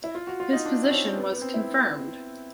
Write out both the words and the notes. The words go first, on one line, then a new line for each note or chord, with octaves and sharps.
His position was confirmed.
E4
F4
F#4
F4
D#4
D4
C4
C#4
B3
B3
C4
E4